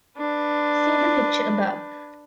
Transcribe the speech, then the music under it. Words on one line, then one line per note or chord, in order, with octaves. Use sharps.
See the picture above.
D4 B4